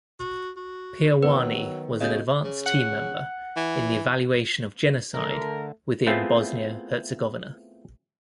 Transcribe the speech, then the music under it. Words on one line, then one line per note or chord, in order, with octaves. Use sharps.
Peerwani was an advance team member in the evaluation of genocide within Bosnia-Herzegovina.
F#4
F#4
D#3 F#3 B3 B4
C#3 B3 F#4 A4 D#5 G6
C#3
F#5
E3
D3 A3 A#4
A3 B3 C4 E4 F4 G#4